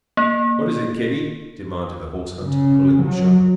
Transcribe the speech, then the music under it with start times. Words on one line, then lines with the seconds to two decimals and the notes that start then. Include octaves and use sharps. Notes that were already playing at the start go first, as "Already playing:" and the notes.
"What is it, kiddie?" demanded the horse-hunter, pulling up sharply.
0.17 A#3
2.41 C#3
3.01 F#3